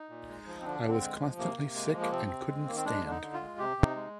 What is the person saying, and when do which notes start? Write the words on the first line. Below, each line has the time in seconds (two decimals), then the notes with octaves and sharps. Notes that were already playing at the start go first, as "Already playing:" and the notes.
I was constantly sick and couldn't stand.
Already playing: D#4
0.09 A#2
0.28 G#3
0.46 F3
0.60 C4
0.65 D3 D4
0.82 D3
0.89 C4
1.01 G#3
1.19 F3
1.38 C3 A#3
1.57 C3
1.75 G#3
1.94 F3
2.01 A#3
2.11 C3 C4
2.30 C3
2.48 G#3
2.67 D#3 A#3
2.76 C4
2.85 G#3 D4
3.04 D3
3.09 D#4
3.22 D3
3.33 F4
3.41 G#3
3.58 C3 G4
3.77 C3
3.83 D#4
3.96 G#3